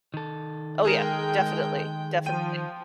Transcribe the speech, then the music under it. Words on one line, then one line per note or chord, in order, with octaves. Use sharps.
Oh, yeah. Definitely. Definitely.
D#3 A4
G#3 G#4 A#4 G5
F3 G5 D#7